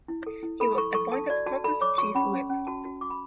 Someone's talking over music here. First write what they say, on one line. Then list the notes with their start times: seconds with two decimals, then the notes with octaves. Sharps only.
He was appointed caucus chief whip.
0.08 E4
0.26 A4
0.43 E4
0.60 A4 B5
0.78 A4 C#6
0.94 A4 C#6
1.12 A4 A5
1.30 F#4 D5
1.46 F#4 A5
1.64 A4 B5
1.81 C#5 D6
1.98 F#4 C#6
2.15 C#4 B5
2.33 C#4
2.49 C#4
2.67 F#4 A5
2.85 F#4
3.01 F#4 D6
3.10 B5